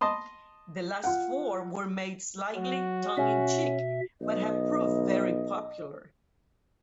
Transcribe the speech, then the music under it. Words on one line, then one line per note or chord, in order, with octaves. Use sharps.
The last four were made slightly tongue-in-cheek, but have proved very popular.
D#5 A5 C6 D#6
F4 F#5
F#3 F#4
B2 C#4 E5
B1 D#5